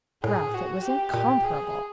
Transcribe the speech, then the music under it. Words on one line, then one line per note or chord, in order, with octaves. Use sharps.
"Ralph, it was incomparable!"
A2 G#4
F#4
G4
A#2 G4
G#4